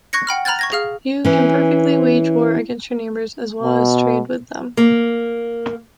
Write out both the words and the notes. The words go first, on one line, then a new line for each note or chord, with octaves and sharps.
You can perfectly wage war against your neighbors as well as trade with them.
C#6 F#6 G#6 A#6 C#7
F#5 G5 B5 F6
A#5 B5 F6 F#6 G#6 A6
C#6 G#6 A#6
G#4 F5 F6
E3 C#4
B2
A#3